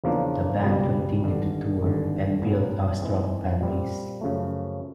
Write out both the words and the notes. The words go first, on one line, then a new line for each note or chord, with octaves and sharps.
The band continued to tour, and build a strong fanbase.
E2 C#3 F3 A#3 D4
C#2 B2 G3 B3
G#1 G2 D3
G#1 G2 D3
C2 A#2 F#3 B3
G#2 E3 G#3 C4
A#2 G3 C4
F#2 C#3 F3 A3